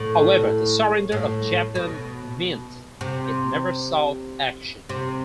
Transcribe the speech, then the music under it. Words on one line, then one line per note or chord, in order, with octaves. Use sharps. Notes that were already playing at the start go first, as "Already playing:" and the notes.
However, the surrender of Japan meant it never saw action.
Already playing: A2
A2
B2
C3
C3